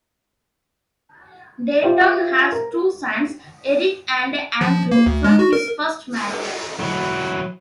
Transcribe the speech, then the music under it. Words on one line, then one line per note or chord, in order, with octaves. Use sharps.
Dayton has two sons, Eric and Andrew, from his first marriage.
F4 G4 C5 E5
A#4
F3
A#3
D2
G#3
F#4
A#4
F#3 E4